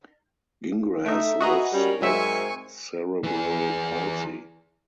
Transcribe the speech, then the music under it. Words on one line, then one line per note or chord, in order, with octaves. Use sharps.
Gingras lives with cerebral palsy.
A3 D#4 E5
F#4 G#4 B4 D#5 A#5
G3 C#4 A#4
G#2 F#3 G#3 C4 A#4 E5 G#5 C#6
E3 G#4